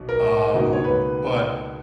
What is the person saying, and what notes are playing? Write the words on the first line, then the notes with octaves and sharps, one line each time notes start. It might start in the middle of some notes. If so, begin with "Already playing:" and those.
um, but
Already playing: B1 B2
A#4
C#2 B2 A#3 D#4
C#5
B4